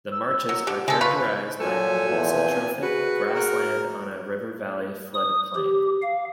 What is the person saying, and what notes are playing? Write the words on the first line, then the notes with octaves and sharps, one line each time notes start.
The marshes are characterised by mesotrophic grassland on a river valley flood plain.
E6
F#3
D3 G4
C#3 G#3 A4
F4 B4 C#6
A#2 F3 F#3 A4 G#5
E2
C4
F#4 G#4 B4
A#4
D#6
G4
F5